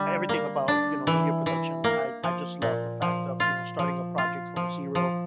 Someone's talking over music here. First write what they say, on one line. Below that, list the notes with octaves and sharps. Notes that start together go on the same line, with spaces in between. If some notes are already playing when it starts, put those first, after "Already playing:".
everything about, you know, media production I I just love the fact of, you know, starting a project from zero,
Already playing: D3 G3
A#3
D4
E3
E3
A#3
F3
A#2
F3
F4
F3
F4
F3
F3